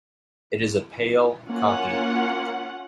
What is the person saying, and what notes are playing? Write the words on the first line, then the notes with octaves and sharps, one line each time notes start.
It is a pale copy.
A#3 C#4 F4 F#5